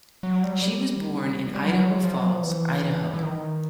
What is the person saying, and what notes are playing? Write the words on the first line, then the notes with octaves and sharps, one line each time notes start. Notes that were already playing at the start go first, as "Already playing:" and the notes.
She was born in Idaho Falls, Idaho.
F#3
G3
F#3
G3
G3
F#3
F3
F#3
F3
E3
E3
D#3